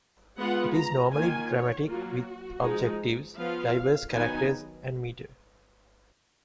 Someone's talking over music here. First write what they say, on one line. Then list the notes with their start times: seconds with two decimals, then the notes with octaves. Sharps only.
It is normally dramatic, with objectives, diverse characters, and metre.
0.38 G#3 B3 F4 F#5
0.75 A#5
1.12 D#3 A#3 F4 G#5
1.50 C#5
1.87 F#3 A#3 F4 F#4
2.62 F3 G#3 D#4
3.36 F3 B3 F4 F5
4.11 D#3 F#3 B3 D#4 G#5